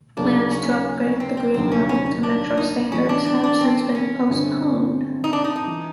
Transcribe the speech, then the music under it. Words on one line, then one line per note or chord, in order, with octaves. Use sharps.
Plans to upgrade the Green Line to Metro standards have since been postponed.
D#2 C#3 F#3 A#3 D4
C#4
C4
C4
F1 D#2 D3 F#3 C4
C#4
C#4
C#4
D4
D#4
A2 E3 G3 B3 C#4
D4
D4
D4
C4
C#4
G1 G2 D3 G3 C4
D#4
D4
D#4
D#4
E3